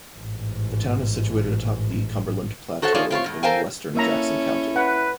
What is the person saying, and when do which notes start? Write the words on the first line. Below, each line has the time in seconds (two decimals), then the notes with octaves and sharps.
The town is situated atop the Cumberland Plateau in western Jackson County.
0.17 A1 G#2
2.82 F#4 A4 C5 C#5 F#5
2.94 D#4 F4 G#4 A4 C#5 D5
3.11 C4 F4 B4 C#5
3.24 E2 A2
3.43 A4 A#4 C5 F5 G5 G#5
3.95 A#3 C#4 E4 A4 E5 A#5
4.76 B4 F#5